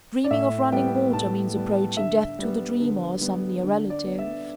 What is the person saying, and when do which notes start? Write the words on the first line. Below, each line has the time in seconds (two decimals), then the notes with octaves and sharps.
Dreaming of running water means approaching death to the dreamer or some near relative.
0.24 D5
0.31 A2 E5
0.72 G3 B3 G5
1.13 A2 A5
1.55 G3 B3
1.97 D3 E5
2.39 G3 B3
2.80 D3
3.21 G3 B3
3.63 D3
3.90 D5
4.05 B3
4.19 E5